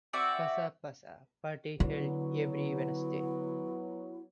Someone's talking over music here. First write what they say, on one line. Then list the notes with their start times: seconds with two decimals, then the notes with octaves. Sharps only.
Passa Passa party held every Wednesday.
0.13 C4 F#4 D5 E5
1.80 D3 F#3 B3 E4